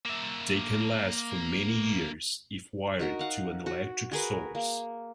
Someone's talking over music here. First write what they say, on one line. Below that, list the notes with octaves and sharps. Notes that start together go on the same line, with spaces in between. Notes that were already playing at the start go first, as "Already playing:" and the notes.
They can last for many years if wired to an electric source.
A#3 E5
D#4 F#4 A#4
F5 F#5
F#4
F#4 G#4 A#4 B4
A#3